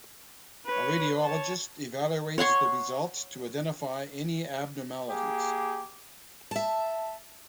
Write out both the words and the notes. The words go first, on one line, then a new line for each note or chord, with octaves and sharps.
A radiologist evaluates the results to identify any abnormalities.
B4 C#5
C#5 A5
C#5 F#5 C6 C#6
A#3 G4 G#4
E5 A5